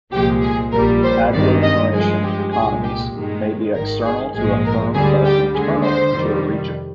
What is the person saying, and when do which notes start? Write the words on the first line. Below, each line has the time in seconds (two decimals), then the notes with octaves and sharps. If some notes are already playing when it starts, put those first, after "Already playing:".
Agglomeration economies may be external to a firm but internal to a region.
0.12 C2 A#2 F3 G#3 G4
0.42 G#4
0.72 A#1 A#2 G3 A#4
1.03 C5
1.33 G2 D#3 G#3 D5
1.63 D#5
1.93 G2 F3 G#3 G#4
2.23 G4
2.53 C2 A#2 G#3 G#4
2.83 G4
3.14 G2 D#3 G#3
3.74 G#1 G#2 D#3 A#4
4.04 G#4
4.34 A#1 G#2 F3 G#3 G#4
4.65 A#4
4.94 D2 D3 G3 G#4
5.25 G4
5.54 D#2 D3 G#3 G#4
5.85 C5
6.15 F2 C3 D#3 G3